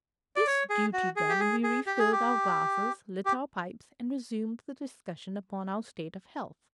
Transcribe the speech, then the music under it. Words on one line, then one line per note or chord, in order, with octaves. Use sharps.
This duty done, we refilled our glasses, lit our pipes, and resumed the discussion upon our state of health.
D5
C#5
G#4
F#4
G#4
G4
G#4
G#4
G4
G#4
G4
G4